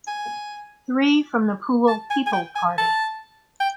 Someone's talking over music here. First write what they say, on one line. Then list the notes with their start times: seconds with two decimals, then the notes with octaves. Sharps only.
Three from the Poole People Party.
0.07 G#5
1.88 A5
2.10 G#5
2.26 G#5
2.33 G5
2.56 G#5
2.78 A5
3.60 G5